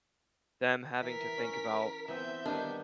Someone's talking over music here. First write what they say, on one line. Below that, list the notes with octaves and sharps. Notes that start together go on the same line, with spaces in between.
them having to think about
E3 A#4 B6
C#4
E3 B3 C4 E5 G6
D#3 G3 B3 D4